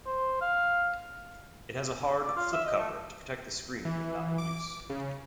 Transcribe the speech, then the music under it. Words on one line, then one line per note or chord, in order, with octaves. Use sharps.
It has a hard flip-cover to protect the screen when not in use.
C5
F5
D5
F4
E5
D#5
A3
E3
D6
C#3